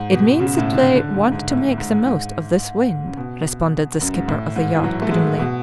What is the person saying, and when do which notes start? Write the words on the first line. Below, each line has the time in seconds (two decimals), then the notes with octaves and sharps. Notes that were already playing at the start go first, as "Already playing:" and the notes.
"It means that they want to make the most of this wind," responded the skipper of the yacht grimly.
Already playing: G#2
0.12 B2
0.40 C#3
0.58 A2
0.72 D3
0.77 C#3
0.95 D3
1.14 G#2
1.32 G#2
1.50 A2
1.78 G#2
2.06 G#2
3.07 C#3
3.17 B2
4.01 F#2
4.14 G#2
4.28 A2
4.56 G#2
4.75 E3
4.83 F#3
5.02 A3
5.11 G#3
5.39 B2